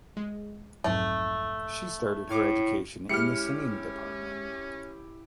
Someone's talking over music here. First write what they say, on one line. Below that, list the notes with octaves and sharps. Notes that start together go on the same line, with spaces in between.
She started her education in the singing department.
G#3
B1 F2 G#2 A3
A2 D6 F6 G#6
G#3 C#4 E4 G4 F6 C#7